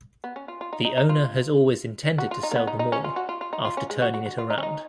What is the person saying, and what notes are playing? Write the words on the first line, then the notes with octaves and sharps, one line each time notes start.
The owner has always intended to sell the mall after turning it around.
B3
C#4
F4
F4
D#4
D#4
D#4
F4
F#4
F4
D#4
A#3
B3
D#4
D#4
C#4
F4
F#4
F4
F4
D#4
F4
C#4
G#3
F#4
F#4
F#4
F4
D#4
C#4
D#4